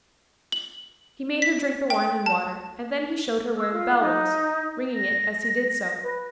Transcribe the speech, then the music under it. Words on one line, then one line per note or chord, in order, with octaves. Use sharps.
He made her drink the wine and water, and then he showed her where the bell was, ringing it as he did so.
F#7
B6
G5
A5
E6
F4
D#4
A#6
B4